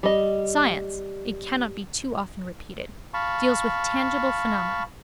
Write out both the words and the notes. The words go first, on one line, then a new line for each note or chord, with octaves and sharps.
Science, it cannot be too often repeated, deals with tangible phenomena.
G3 D#5
F5 A5 B5 C#6